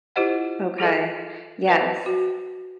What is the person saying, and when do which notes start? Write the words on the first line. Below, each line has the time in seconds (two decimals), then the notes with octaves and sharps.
Okay. Yes.
0.16 E4 F4 G4 C5 D#5 F#5
0.78 F4 G#4 A4 D#5
1.68 B4 C5 D#5 G5
2.06 F#4